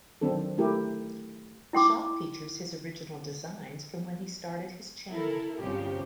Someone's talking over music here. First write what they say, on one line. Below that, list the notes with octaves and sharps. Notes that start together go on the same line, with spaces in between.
The shop features his original designs from when he started his channel.
D#3 F#3 C4 D4 A4
A3 E4 G4 A#4
E4 G5 C6 D6
E4 A4 A#4
G1 C2 C#3 F3 G4